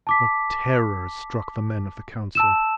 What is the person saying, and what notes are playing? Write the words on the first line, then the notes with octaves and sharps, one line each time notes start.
But terror struck the men of the Council.
A5 D6 B6
A5 E6 E7